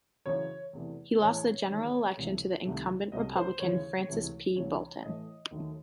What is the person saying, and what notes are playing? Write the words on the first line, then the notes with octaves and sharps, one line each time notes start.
He lost the general election to incumbent Republican Frances P. Bolton.
F#2 C#3 E3 C#5
E2 C3 E3 A3
A2 E3 G#3 C#5
E2 D#3 G#3
C2 C3 E3 A3
C2 C3 D#3 A3
C2 C3 F#3 A3 D#5
C5
D#2 C#3 E3 C#5
C#2 C3 E3 A3
C2 C3 E3 C#5
A2 E3 A3 D#5
D#2 D#3 F#3 A3